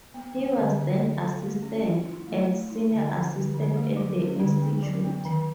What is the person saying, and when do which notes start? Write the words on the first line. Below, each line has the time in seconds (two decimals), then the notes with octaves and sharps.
He was then assistant and senior assistant at the institute.
0.14 B3
0.36 A#3
0.57 D3
0.78 D3
0.99 F#3
1.21 A4
1.41 A3
1.62 C#4
1.85 F4
2.05 E4
2.27 A3
2.48 A3
2.70 E4
2.90 D3
3.13 F3
3.33 D3
3.54 D3
3.76 A3
3.97 F#3
4.18 C#4
4.40 D3
4.62 B3
4.83 F#3
5.04 B3
5.25 D#3